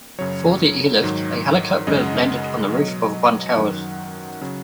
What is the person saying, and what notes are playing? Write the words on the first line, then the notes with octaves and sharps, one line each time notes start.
For the airlift a helicopter landed on the roof of one towers.
F#2 C#3 F#3 C#5
G#2 D#3 F#3
F#2 C#3 G#3 D#5
F#5
D#5
B2 F#3
F#2 D#3 F#3 F#5
C#3 F#3